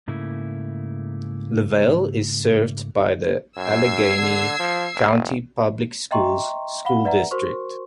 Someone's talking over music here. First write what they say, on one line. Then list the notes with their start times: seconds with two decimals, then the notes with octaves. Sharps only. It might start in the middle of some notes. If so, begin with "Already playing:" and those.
LaVale is served by the Allegany County Public Schools school district.
0.08 G#2 C#3 A3 A#3 E4
3.57 F#2 E6 G#6 C7
4.18 D3
4.59 F3
4.95 F1
6.11 D#5 E5 G5 A#5 C6 C#6
6.85 F5 F#5 B5 G7
7.05 B4 D5 E5 F#5 A#5
7.31 F#4 A#4 C5 C6 C#6